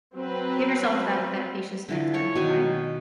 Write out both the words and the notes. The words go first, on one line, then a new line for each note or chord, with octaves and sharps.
give yourself that that patience and that time to find it.
F#3 C4 B4
D3 E3 F4
A4 C#5
B2 D#3 F#4 G#5